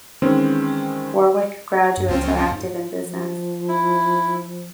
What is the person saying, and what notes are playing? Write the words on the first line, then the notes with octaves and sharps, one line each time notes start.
Warwick graduates are active in business.
D#3 E3 G#3 C4 C#4
G2
C#2 F3 C4 C#4
G#2
F3
E4